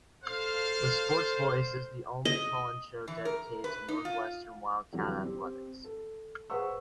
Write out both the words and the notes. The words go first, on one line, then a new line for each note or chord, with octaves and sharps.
The SportsVoice is the only call-in show dedicated to Northwestern Wildcat Athletics.
A4 C5 D5 F5
D#5
E3
A#4
B4
D#4
F4
F2 D3 E3 F#3 G3
C4 G4
A4
G#4 B4 C5 F#5 C#6 E6